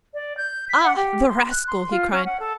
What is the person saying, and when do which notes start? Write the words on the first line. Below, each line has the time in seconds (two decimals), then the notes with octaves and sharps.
"Ah, the rascal!" he cried.
0.13 D5
0.37 G6
0.69 B6
0.83 F#5
0.95 G4
1.28 C6
1.50 F#6
1.67 C6
1.90 F4
2.11 C#4
2.25 F#5
2.39 A4